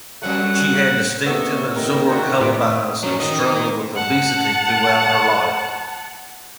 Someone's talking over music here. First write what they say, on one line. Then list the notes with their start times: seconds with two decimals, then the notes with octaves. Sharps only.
She had distinctive azure colored eyes, and struggled with obesity throughout her life.
0.22 F2 F#3 G3 A3 F#5
1.26 C3 A#3 B3 A4 C#5
1.76 D#3 A#4
2.11 A3 D4 F#4
2.41 A2 E4 B4 B5 D6
3.03 F#3 C#4
3.20 D#3 D#5
3.96 F#5 A5